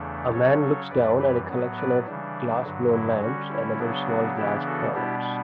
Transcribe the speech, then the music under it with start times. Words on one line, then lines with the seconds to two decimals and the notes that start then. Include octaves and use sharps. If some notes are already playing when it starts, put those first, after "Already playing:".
A man looks down at a collection of glassblown lamps and other small glass products.
Already playing: E2 C#3 E3 A3 D4
0.33 C#3 F#3 C#4 A4 C#5
0.61 A4 C#5
0.90 F#2 E3 G3 B4 D5
1.20 G4 B4
1.49 A2 F#3 B3
1.77 B4 D5
2.06 C#3 E3 G3 D4
2.64 G2 D3 F#3
2.92 E4
3.22 D3 G3 C#4 F#4
3.50 E4
3.79 C#3 F#3 B3 D4
4.08 F#4
4.37 C#3 E3 B3 D4 E4 G4
4.66 F#4 A4
4.94 B2 G3 B3 D4 E4 G4